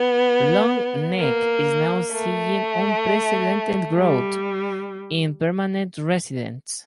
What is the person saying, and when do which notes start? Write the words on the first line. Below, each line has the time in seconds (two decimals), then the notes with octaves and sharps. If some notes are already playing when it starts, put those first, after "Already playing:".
Long Neck is now seeing unprecedented growth in permanent residents.
Already playing: B3
1.17 A#3
2.11 A3
4.00 G3